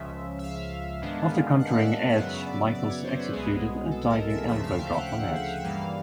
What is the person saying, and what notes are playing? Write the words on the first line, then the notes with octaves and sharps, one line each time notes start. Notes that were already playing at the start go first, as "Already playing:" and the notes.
After countering Edge, Michaels executed a diving elbow drop on Edge.
Already playing: C#2 C#3 F3 E5
E5
F5
G#2 D#3 G#3 B3 D4
F#5
F5
E5
F5
F5
F#2 C#3 F#3 B3 E5
D5
D5
C#5
C5
B4
C2 B2 G#3 B3 G#4
A4
A4
A#4
E5
D2 C#3 F3 A3 E5
F5
G5
F#5
F#5
E5
E5
G2 E3 G3 A#3 F5